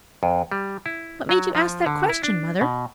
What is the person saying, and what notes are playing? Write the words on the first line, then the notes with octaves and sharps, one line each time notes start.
"What made you ask that question, Mother?"
F2
G3
E4
F#3
F3
D3
E4
D4
B2